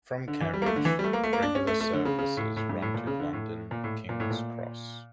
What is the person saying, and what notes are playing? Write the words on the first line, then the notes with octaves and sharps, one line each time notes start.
From Cambridge, regular services run to London King's Cross.
D3
E3
G3
A#3
A3
D3
E3
G3
A3
A#3
A3
A#3
D4
C#4
A3
A3
D3
C#3
C#3
A2
A2
G2
A2
A#2
C#3
D3
A2
A#2
A2
A#2
A2
A#2